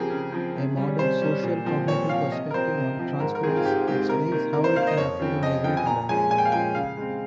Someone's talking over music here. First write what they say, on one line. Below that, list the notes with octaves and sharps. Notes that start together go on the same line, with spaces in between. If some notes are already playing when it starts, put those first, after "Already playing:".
A modern, social-cognitive perspective on transference explains how it can occur in everyday life.
Already playing: C#3 F3 C4 G4 G#4 A#4
C#3
F3 C4
C3
G3 C#4
C3 C5
G3 C#4
A#2
F3 C4
A#2 C#5
F3 C4 F5
C3 D#5
A#4
F3 C4 C5
C3
F3 C4
G#2 A#4
A#4
D#3 G#3 C4 G#4
F4
G#2 G4
D#3 G#3 C4 G4
C3 A#4
D#3 A#3
C3 A#4
C5
D#3 A#3 F5
D#5
F2 C#5
C#3 F3 C4
F2 D#5
C#3 F3 C4 G5
G#5
A#2 A#5
F3 G#3 C#4 G#5
A#2 G#5
G5
F5
F3 G#3 C#4 G5
C#3 F5
G#3 C4